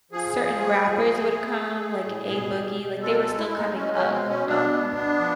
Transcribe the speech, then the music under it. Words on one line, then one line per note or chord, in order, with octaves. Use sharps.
certain rappers would come, like A-Boogie, like, they were still coming up, um,
F3 G#4
F3
A3
F3
A3
A3
A3
A3
A2
B2
B2
B2
G#3 A4
A4
G#3
E4
G#3
D#4
G#3 C#4
C#4
B2
C4
B2
C#4
B2 D4
B3
B3
F3